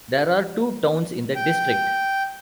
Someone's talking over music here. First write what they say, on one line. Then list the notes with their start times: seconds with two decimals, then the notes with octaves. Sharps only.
There are two towns in the district.
1.35 G5